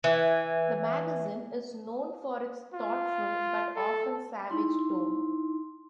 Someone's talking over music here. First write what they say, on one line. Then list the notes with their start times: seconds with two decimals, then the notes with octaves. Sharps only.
The magazine is known for its thoughtful but often savage tone.
0.04 E3
2.74 F4
3.76 A4
4.50 D#4 E4 C6